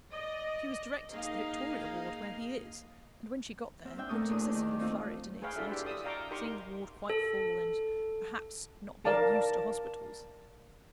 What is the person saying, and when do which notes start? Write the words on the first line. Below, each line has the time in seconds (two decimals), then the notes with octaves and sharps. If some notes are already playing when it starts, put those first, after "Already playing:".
She was directed to the Victoria Ward, where he is; and when she got there, looked excessively flurried and excited--seeing the Ward quite full, and, perhaps, not being used to hospitals.
0.12 D5 D#5
1.10 A#3 D#4 G#4 D#5 F5
3.85 C4 F6
3.97 C4 D4 E5 G5
4.09 A#2 A3 A5 C#6 D#6
4.29 E2 D4 D#6
4.51 D#3 D5
4.79 A3 C4 D#4 F4
5.42 G#4 B4 C#5 F5 G5
5.56 D4 E4 F#4 A4 E5
5.71 D4 G4 C6
5.86 D5 D#6 E6
6.04 D#5 F5 G5 A#5 C#6 D6
6.31 D#4 G4 A#4 A#5 C6 C#6
7.10 A4
9.05 A#4 D5 F5 A5